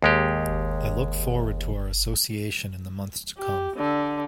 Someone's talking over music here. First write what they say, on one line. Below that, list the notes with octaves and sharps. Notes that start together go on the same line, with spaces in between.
I look forward to our association in the months to come.
D#2 G#3 G4
G4
D3